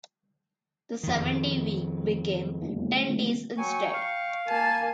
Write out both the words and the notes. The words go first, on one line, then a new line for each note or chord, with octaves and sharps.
The seven-day week became ten days instead.
F2 D#3
F#3 G5 G#5 C#6
F5
A#3 G#5 A5